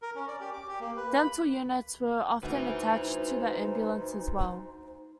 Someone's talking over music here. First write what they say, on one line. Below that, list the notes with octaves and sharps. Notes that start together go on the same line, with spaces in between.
Dental units were often attached to the ambulance as well.
A#4
C#4
D5
G4
D6
G4
A#3
B4
B5
D2 D#4 B4 C5 E5